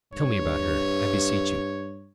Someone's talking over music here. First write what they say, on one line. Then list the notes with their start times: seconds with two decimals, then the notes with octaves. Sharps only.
Tell me about her, I beseech you.
0.13 G2 C#5